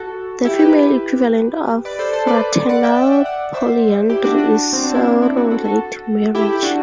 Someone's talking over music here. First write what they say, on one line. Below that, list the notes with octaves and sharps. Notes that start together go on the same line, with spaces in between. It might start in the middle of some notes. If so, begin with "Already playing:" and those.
The female equivalent of fraternal polyandry is sororate marriage.
Already playing: F#4 A4
E4 G4
G4 B4
G4 B4
B4 D5
A4 C5
A4 C5
B4 D5
D5 F#5
E5 G5
E5 G5
E5 G5
D5 F#5
C5 E5
E4 G4
D4 F#4
D4 F#4
C4
D4
C4 E4
D4
C4 E4
D4 F#4
F#4 A4
F#4 A4
E4 G4
D4 F#4